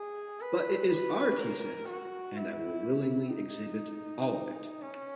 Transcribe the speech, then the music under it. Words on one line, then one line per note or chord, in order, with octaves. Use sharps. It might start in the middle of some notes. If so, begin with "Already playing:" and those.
'But it is art' he said 'and I will willingly exhibit all of it.
Already playing: G#4
B4
B4
A#4
F#4
E4
D#4
C#4